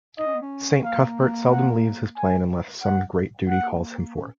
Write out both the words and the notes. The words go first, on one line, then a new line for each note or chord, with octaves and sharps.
Saint Cuthbert seldom leaves his plane unless some great duty calls him forth.
D#4 D#5
C#4
B3
C#4
A#3 F5
F#5
G#5
F#5
A#3 F#5
C#4